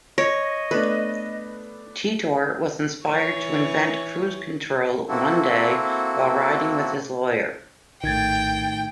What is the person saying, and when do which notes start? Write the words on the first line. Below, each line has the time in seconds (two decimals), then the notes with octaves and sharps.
Teetor was inspired to invent cruise control one day while riding with his lawyer.
0.18 C#5 D#5 A#6
0.71 A3 B3 D4 B4
3.05 E3 C#5
5.09 A#3 C4 E4 F#4 A4
8.04 A#1 A2 D#3 G5 G#6 A6